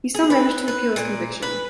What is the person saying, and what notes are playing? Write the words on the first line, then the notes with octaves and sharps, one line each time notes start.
He still managed to appeal his conviction.
G#4
B4
B4
A#2
B4